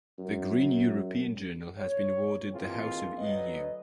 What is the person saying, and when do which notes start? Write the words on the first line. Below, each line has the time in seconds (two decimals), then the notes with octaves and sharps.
The Green European Journal has been awarded the House of eu.
0.19 F#2
1.78 C#5
2.52 D#2 E3 C4 F4 G#4
3.19 D2 F#3 B4 D#5